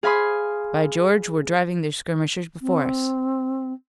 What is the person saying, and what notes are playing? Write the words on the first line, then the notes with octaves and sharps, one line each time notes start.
By George, we're driving their skirmishers before us!
G#4 F5 G#5 B5 C6 D#6
C4